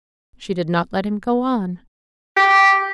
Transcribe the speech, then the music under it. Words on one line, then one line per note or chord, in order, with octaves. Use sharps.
She did not let him go on.
G4